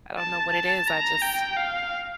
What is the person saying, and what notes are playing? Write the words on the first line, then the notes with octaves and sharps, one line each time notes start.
I don't know what it is. I just
A5
A5
A#5
G5
F5